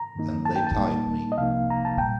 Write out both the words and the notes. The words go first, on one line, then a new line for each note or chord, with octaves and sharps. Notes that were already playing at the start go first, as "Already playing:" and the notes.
Then they tied me.
Already playing: A#5
G2 D#3 A#3 D#4
A5
G5
A5
A#2 G3 A#3 D#4
D#5
C2 C3 F3 A#3 D#4 F5
A#5
A5
A#2 G3 G5